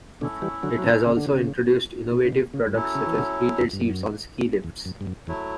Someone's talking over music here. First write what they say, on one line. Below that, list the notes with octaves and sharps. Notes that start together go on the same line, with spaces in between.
It has also introduced innovative products such as heated seats on ski lifts.
B2 D3 A3 C#4 E4 A4
E3 G3
D3 F#3
F#3
C#3 E3
C#3
D3
C#3
B2
C#3
B2
C#3
G2
A2 F#3 C#4 E4 A4
C#3
E3
B2 D3
E2
G2
F#2
E2
F#2
G2
F#2
E2 F#3 A3 E4